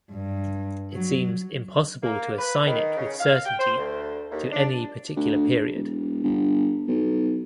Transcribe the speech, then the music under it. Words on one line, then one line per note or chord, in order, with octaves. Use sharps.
It seems impossible to assign it with certainty to any particular period.
G2
F#3
A#3
B4
D#3
C#3
F5
G5
C5
D2
D#2
D4
D2
E1
G1
B1